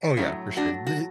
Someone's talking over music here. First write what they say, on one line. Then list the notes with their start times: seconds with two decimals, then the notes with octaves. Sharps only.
Oh, yeah, for sure. The
0.17 A2 F#3 A3 C#4 E4
0.57 D4 F#4
0.87 F#4